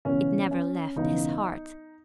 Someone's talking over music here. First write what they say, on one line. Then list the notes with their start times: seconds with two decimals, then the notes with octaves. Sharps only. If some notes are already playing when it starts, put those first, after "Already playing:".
It never left his heart.
0.05 E1 E2 C#3 C#4
0.51 C#4
0.96 E1 E2 C#3 D#4